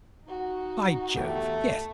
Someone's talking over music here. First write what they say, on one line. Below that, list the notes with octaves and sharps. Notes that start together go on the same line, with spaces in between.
By Jove! yes.
D#4 F#4
E2 A3 G4